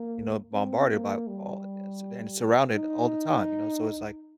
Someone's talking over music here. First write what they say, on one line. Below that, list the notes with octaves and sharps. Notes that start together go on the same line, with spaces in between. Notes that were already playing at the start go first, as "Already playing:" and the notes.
you know, bombarded by all and su and surrounded all the time, you know, so it's like,
Already playing: A#3
C4
A#3
G3
D#4